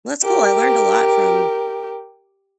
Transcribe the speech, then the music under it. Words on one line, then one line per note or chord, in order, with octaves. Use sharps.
That's cool, I learned a lot from
G4 A#4